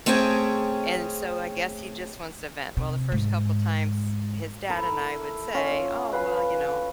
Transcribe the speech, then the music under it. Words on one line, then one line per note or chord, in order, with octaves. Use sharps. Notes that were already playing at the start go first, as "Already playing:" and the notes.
and so I guess he just wants to vent. Well, the first couple times, his dad and I would say, "Oh, well, you know,
A3 C4 C#4 G#4 G5
C3
G#2
E4 A4 A#4
C#4 F4
B4 F5 B5